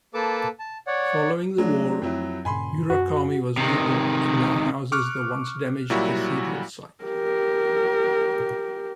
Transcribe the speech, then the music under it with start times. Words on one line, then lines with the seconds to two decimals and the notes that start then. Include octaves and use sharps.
Following the war, Urakami was rebuilt and now houses the once-damaged Cathedral site.
0.14 A#3 A4 B4 A5 D6
0.59 A5
0.87 C#5 D5 F#5
1.58 F#3 G#3 A3 D4 F#4
2.02 F2 F#3 E4
2.45 G2 A#2 C#3 G#5 B5 C6
2.90 F#2 F#4
3.57 C3 D#3
4.92 C#6 D6 F6 F#6
5.90 A#2 F#3 G3 E4 F#4
7.04 G4 A#4